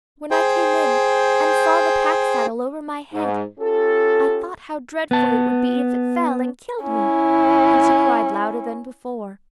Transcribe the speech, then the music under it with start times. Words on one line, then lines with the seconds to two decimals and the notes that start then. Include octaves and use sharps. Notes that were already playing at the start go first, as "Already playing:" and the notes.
'When I came in and saw the pack-saddle over my head, I thought how dreadful it would be if it fell and killed me,' and she cried louder than before.
0.31 G#4 C5 G5
3.13 G#2
3.60 C#4 F4 G4 A4
5.11 B3 A5
6.83 C#4 E4